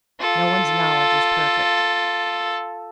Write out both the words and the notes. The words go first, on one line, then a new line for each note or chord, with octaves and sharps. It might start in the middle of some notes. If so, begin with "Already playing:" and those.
No one's knowledge is perfect.
F4 A4